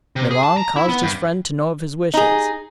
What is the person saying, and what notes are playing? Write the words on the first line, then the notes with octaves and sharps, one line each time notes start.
Milon caused his friend to know of his wishes.
C3
G#4
A5
A#5
E4
B3
G2
D#4 G#4